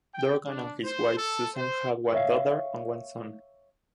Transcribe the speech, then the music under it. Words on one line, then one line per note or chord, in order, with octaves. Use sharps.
Dorgan and his wife Susan have one daughter and one son.
G5
D4
C5
A4
C5
C#5 E5 F5